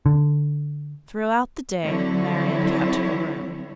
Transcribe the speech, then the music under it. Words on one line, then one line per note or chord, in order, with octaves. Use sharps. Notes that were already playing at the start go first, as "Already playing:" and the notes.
Throughout the day Marian kept her room.
D3
D3 F#3 G3 C4 E4 C#5